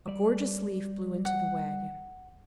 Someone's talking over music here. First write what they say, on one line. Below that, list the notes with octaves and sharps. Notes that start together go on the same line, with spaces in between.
A gorgeous leaf blew into the wagon.
G3 D5
F#5